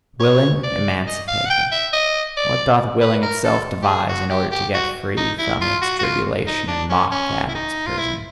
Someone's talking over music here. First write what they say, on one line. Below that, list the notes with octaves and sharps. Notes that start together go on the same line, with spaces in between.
Willing emancipateth: what doth Willing itself devise in order to get free from its tribulation and mock at its prison?
C#5
D5
D#5
F5
F#5
G5
E5
D#5
D5
B4
A#4
A4
G4
G#4
F#4
G4
G4
F#4
D#4
E4
F4
F#4
F#4
F4
D#4
D4
C#4
C#4
E4
D#4
F4
E4